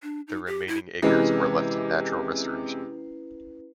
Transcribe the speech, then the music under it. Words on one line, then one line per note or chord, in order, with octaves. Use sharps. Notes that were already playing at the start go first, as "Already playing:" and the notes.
The remaining acres were left to natural restoration.
D4
D#4
G4
E4
C3 E3 G#3 C#4 E4 B4